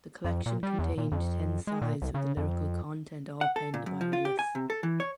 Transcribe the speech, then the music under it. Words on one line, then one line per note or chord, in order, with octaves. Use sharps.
The collection contained ten sides with the lyrical content all penned by Willis.
F2
A#2
G3
E2
A#2
F2
G#3
A#2
C2
C#3
F2
F#5
A4
A#2
F#2
F3
F4
G4
G#5
C3
A4
E3
C#5